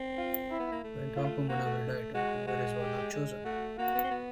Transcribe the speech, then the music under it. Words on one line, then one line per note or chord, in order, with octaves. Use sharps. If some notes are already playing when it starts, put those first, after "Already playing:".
When Tuanku Munawir died, Tuanku Muhriz was not chosen.
Already playing: C4
F4
E4
B3
A#3
A3
F4
A#3 F#4
A3
G#3 F#4
G#3 F#4
G4
G#3
A3 F#4
A#3 F#4
B3
C4
B3